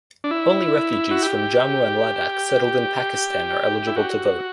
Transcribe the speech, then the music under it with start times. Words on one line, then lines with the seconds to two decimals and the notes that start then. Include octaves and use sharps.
Only refugees from Jammu and Ladakh settled in Pakistan are eligible to vote.
0.24 D4
0.31 E4
1.11 F#4
1.22 G4
3.87 E4
3.96 F#4